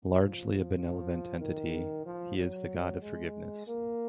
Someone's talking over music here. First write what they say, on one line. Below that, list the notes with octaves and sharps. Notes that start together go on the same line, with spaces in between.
Largely a benevolent entity, he is the god of forgiveness.
F3
F3
D#3
F3
F#3
G#3
A#3